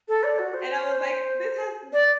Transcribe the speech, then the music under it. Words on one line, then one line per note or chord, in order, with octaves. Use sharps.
and I was like, "This has b
A4
D5
F#4
C5
D5